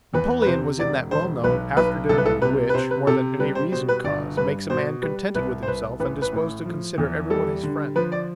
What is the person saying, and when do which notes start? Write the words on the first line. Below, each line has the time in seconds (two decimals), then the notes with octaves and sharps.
Napoleon was in that well-known after-dinner mood which, more than any reasoned cause, makes a man contented with himself and disposed to consider everyone his friend.
0.14 E2 B4
0.42 B4
0.46 C3 C5
0.79 E1 D5
1.11 E1 C5
1.44 B1 B4
1.77 B1 B4
2.09 C2 A4
2.18 B4
2.26 A4
2.42 C3 B4
2.69 B4
2.74 C3 C5
2.91 B4
3.07 C3 A4
3.40 G3 B4
3.55 C5
3.72 B2 C5
3.89 B4
4.04 G1 D5
4.37 G2 B4
4.70 B2 C5
5.02 G3 B4
5.35 C2 B4
5.63 C5
5.68 C2 B4
6.00 A1 B4
6.22 B4
6.33 A2
6.65 F3
6.98 E2
7.30 G3 A4
7.63 D3
7.96 F3 B4
8.12 D5